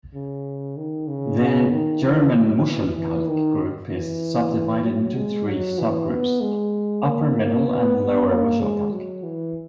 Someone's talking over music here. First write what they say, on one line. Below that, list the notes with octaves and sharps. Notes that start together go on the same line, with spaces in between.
The German Muschelkalk Group is subdivided into three subgroups: Upper, Middle and Lower Muschelkalk.
C#3
D#3
C#3
C#3
D#3
E3
F#3
E3
E3
D#3
E3
F#3
G#3
F#3
E3
B3
G#3
A#3
B3
B3
A#3
G#3
F#3
E3